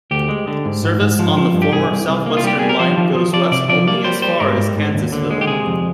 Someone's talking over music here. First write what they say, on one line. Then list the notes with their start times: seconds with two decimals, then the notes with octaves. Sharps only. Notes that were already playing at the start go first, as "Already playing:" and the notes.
Service on the former Southwestern Line goes west only as far as Kansasville.
0.11 D2 G4
0.29 G#3
0.47 D3
0.65 G#2
0.84 G#2
1.01 G#2
1.19 F3
1.37 F3
1.54 G2
1.62 G4
1.72 C2 G#4
1.91 C2
2.09 C2
2.26 A#3
2.37 F4
2.44 G3 G4
2.59 G3 G#4
2.69 A#4
2.79 F3 C5
2.98 F3
3.15 F3
3.33 F3 D5
3.52 C3 D5
3.69 F3 D5
3.87 A#3 D5
4.04 G3 C5
4.22 G3 C5
4.40 G#2 A#4
4.58 G#2
4.77 G#2
4.95 D#2
5.12 D3
5.31 G#3
5.41 G4
5.47 C3 G#4
5.66 F2